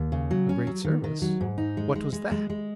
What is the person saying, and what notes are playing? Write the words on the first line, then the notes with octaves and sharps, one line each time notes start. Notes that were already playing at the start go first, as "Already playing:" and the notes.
"A great service--what was that?"
Already playing: D#2
C#3
F#3
C#4
F#3
D#3
D#3
F#3
G#2
D#4
G#3
G#3
G#3
G#3
G#3